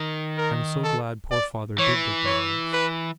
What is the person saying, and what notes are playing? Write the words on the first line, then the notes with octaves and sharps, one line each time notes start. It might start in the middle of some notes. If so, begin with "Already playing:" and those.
I am so glad poor father did get that house.
Already playing: D#3
A#4
A4
D5
E3 C#5
C#5
B4